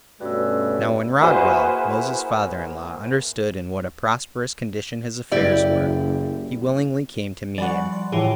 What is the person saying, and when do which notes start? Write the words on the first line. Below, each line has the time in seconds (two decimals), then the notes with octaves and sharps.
Now when Raguel, Moses's father-in-law, understood in what a prosperous condition his affairs were, he willingly came to meet him.
0.21 G2 B2 A3 C#4 F#4 E6
1.21 A#3 E4 F#4 G#4 B4 C5
5.32 F#1 E4 G4 D5
7.58 F3 G3 D5 F#5 G#5 B5 C#6
7.93 C6
8.12 A2 E3 F4 G4 G#4 E5 G5 G#5